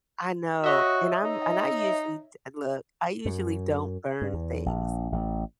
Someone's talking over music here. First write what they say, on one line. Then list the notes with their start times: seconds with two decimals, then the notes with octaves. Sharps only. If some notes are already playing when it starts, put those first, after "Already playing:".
I know, and I'm and I usually d look, I usually don't burn things,
0.64 F#4 C#5 D#5 E5
1.23 D#4
3.26 F#2
4.22 G2
4.34 E2
4.66 A#1
5.12 A1